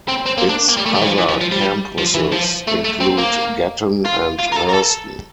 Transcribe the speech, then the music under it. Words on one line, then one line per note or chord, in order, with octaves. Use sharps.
Its other campuses include Gatton and Herston.
C4
C4
A#3
D4
A#3
G3
A3
G3
E3
F3
E3
F3
F3
G3
F3
E3
F3
A3
A3
C4
A#3
F4
F4
A#4
A4
A#4
A4